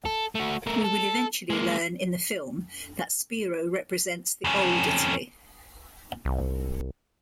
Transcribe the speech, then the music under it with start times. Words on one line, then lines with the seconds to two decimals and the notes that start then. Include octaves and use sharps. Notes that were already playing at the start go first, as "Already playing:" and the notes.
We will eventually learn in the film that Spiro represents the "old" Italy.
0.05 A4
0.35 A3 F#4
0.67 A3 A#4
0.84 A4
1.50 G#3 A#3
4.44 F2 C#4
6.25 C2